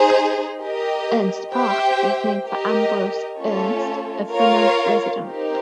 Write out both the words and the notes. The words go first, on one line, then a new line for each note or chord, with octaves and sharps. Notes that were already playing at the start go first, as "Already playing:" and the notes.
Ernst Park was named for Ambrose Ernst, a Fremont resident.
Already playing: D#4 G#4 C5
G4 A#4 D#5
G4 C5 E5 G5
G4 A#4 D#5
A3 C#4 F4 A4 C#5
F4 A#4 C#5 F5
C4 D#4 G4 A#4